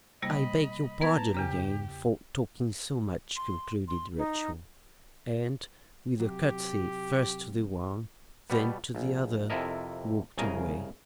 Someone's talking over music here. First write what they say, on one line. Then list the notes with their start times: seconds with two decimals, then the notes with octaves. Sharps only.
"I beg your pardon again for talking so much," concluded Rachel, and, with a courtesy first to the one then to the other, walked away.
0.22 C3 G3 A#3 D#5 B5
1.01 B3 B4 A5 A#5 G#6
1.34 E2 C#3 G4 A#5
3.37 C6
3.88 C6
4.18 D#4
6.20 C3 F#3 G4
8.50 B2 G3 B3
8.95 A#1
9.50 F2 C3 E4 A4 A#4 D#5
10.38 C2 C#3 G#4 A#4 D#5 A#5